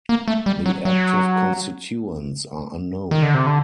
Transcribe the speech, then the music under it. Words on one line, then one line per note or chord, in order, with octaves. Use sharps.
The active constituents are unknown.
A#3
A3
G3
F#3
F#3
D#3
D3
C3
D3